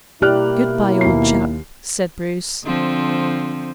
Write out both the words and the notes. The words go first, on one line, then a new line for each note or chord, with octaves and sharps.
"Good-bye, old chap," said Bruce.
B2 A#3 E4 G4 D5 F6 F#6
D#2 C7
D3 F3 C4